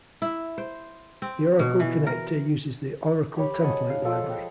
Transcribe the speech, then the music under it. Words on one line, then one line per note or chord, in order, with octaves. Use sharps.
The Oracle connector uses the Oracle Template Library.
E4
C5
C4
B2
E3
A#4
G4 C#5 B5
D#5 F#5 G#5 A5
F5
F3 G#3 A4
G5